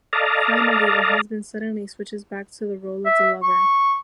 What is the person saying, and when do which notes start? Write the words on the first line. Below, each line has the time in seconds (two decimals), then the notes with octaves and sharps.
Finally, the husband suddenly switches back to the role of the lover.
0.13 A4 D5 D#5 F5 A5 A#5
3.05 E5
3.43 C#6